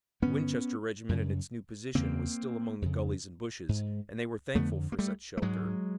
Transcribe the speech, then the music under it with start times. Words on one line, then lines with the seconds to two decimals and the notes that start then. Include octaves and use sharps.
The Winchester regiment in its new position was still among the gullies and bushes, and they were thankful for such shelter.
0.22 G2 D3 B3 C#4
1.09 F#2 C#3
1.95 E2 C#3 A#3 C4
2.82 F2 C#3
3.69 G#2
4.55 F2 D3 A3 B3
4.92 A#3
4.99 G3 A3
5.37 A3
5.42 G#2 F#3 G#3